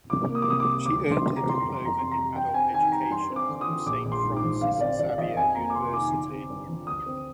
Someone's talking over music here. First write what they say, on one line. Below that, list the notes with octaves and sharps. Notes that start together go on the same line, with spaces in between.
She earned her Diploma in Adult Education from Saint Francis Xavier University.
C2 D6
A#3
D#6
D6
C3 D#6
D6
G3
D2 D6
D2
C6
C3
A#5
F3
C6
F2 A#5
C6
F2
A#5
C3 C6
A#5
G3
G2 G5
C4 G#5
D#3 G#5
G3 A#5
G2 C6
C4
D6
D3
D#6
F3
A#1 D6
A#1
C6
G#2
D6
F3
G1 F5
C4 D5
G2 D5
F3 D#5
F2 G#5
A#3 A#5
D6
C3 C6
D#3 D6
G1
C4
G2
F3
D2 D#6
C4